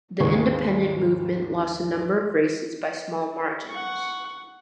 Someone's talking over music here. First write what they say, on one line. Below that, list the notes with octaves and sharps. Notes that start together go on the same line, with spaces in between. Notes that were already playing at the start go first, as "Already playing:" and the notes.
The Independent Movement lost a number of races by small margins.
D#2 G#2 C#3 E3 G#4 C#6
F#5 C#6